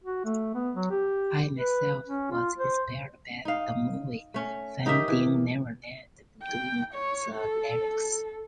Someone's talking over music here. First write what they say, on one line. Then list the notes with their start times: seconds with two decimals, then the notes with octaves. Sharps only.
I, myself, was inspired by the movie "Finding Neverland" when doing the lyrics.
0.04 F#4
0.24 A3
0.54 B3
0.75 F#3
0.91 G4
1.57 B4
2.07 C#4
2.31 F4
2.58 C5
3.45 D#4 F5
4.34 A3 C#4
4.86 D#4 G4 A#4 E5
5.08 E3
6.43 G5
6.94 C#5
7.36 A4